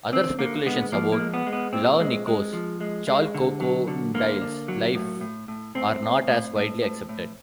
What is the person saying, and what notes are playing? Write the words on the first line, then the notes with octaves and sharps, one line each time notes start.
Other speculations about Laonikos Chalkokondyles' life are not as widely accepted.
D3 C4
D3 A#3
G#3 B3
F3 A#3
A#3
G#3
B3
G#3
B3
A#2 C4
G#3
G#3
F3
G#3
G#3
D3
F#3
D3
D3 A#3
D3
F#3
A2
A2
A2
A2 C4
A2
A2
A2
A2
A2